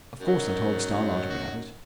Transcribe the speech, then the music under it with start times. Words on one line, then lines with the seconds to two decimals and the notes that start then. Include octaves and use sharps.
Of course I told Starlight about it.
0.20 F#2 D#3 F#3
1.29 F#4